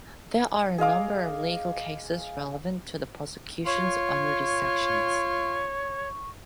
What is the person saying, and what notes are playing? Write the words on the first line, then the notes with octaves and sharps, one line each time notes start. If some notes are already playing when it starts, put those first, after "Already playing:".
There are a number of legal cases relevant to prosecutions under these sections.
G#4 D#5 F5 D6
F4 C#5 C#6